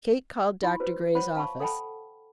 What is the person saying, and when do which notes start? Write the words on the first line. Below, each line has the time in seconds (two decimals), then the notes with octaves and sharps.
Kate called Dr. Gray's office.
0.63 E4 B5 C6
0.80 F#4 B4 C5
1.15 C5 C#5 F#5 B5
1.36 F5 A5 B5 C#6
1.60 A4 F#5 G5 A5 B5